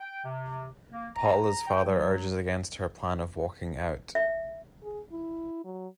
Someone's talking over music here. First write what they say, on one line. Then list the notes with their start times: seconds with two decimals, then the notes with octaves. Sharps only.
Paula's father urges against her plan of walking out.
0.01 G5
0.25 C3
0.92 A#3
1.15 A#5
1.68 G5
1.86 F#3
4.15 E5
4.83 G#4
5.12 E4
5.65 F#3